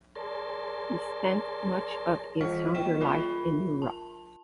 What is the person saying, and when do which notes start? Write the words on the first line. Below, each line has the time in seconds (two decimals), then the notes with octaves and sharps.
He spent much of his younger life in Europe.
0.15 G#4 A#4 C#5 D5 A5 C6
2.41 E3 F4 D#5 F5 F6 B6
2.75 G3 D#5 G5 C#6 B6 E7
3.01 F4 A#4 E5 B5
3.82 A5